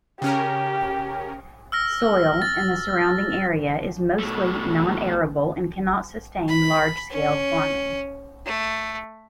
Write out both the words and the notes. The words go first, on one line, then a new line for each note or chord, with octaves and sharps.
Soil in the surrounding area is mostly non-arable and cannot sustain large scale farming.
C#3 C#4 G4 A#4
E6 F6 A#6
A6
B2 A3
B5
C#4
A3